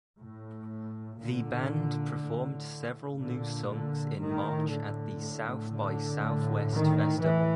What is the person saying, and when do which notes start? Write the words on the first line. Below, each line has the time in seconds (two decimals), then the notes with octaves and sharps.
The band performed several new songs in March at the South by Southwest festival.
0.21 A2
1.21 A#2 D3
2.21 A2
3.21 A#2 D3
3.71 D3
4.21 A2 D#3
4.72 D3
5.21 A2
5.72 D3
6.22 A2
6.72 D#3
7.22 A2 E3